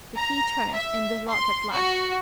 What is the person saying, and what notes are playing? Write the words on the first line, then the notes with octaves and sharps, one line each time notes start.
The key turned in the lock at last.
A#5
E5
C6
F#4